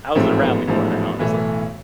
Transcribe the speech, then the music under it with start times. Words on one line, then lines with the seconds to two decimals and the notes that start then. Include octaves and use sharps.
I was around before that, honestly,
0.15 A1 G#2 F3 A3 C4
0.42 B3
0.68 A1 G#2 F3 A3
1.19 B1 A2 E3 A3